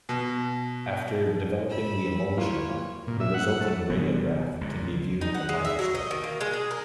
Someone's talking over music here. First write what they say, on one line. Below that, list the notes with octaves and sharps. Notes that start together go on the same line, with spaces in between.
After developing the emulsion, the resulting radiograph can be viewed with a microscope.
B2
B5 E6
F#3 A#3 E4 F4 B4 C#5
A#2
E5
F#5
F#5
A3
F1 E3 B3
C#2 A#2
D#4
F#5
G#3
E5
F#3
D#5
D#3
A#3
G#3
G#4
A#4